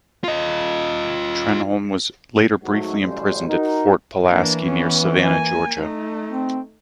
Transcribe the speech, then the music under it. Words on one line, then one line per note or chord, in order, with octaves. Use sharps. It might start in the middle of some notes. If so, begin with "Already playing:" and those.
Trenholm was later briefly imprisoned at Fort Pulaski near Savannah, Georgia.
F4 D#5
G#2 F#3 A3 D#4 F#4
A1 C#3 F#3 G3 C#4 C5
D#4 F#4 A#4
E3 A#3 D4
B3 C#4
A#3 G#5
A3 D#4
C4